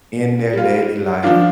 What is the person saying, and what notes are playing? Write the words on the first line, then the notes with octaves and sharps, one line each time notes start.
in their daily life.
G3 F4
F3 D4 F4